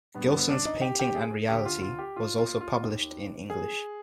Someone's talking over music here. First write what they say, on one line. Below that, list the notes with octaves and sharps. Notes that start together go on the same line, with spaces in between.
Gilson's "Painting and Reality" was also published in English.
G2 D3 B3
B3
D4
D#4
G4
G4
G#4
D2 D3 G4
F4
F4
G4
F4
F4
F4
D#2 D#3
G#4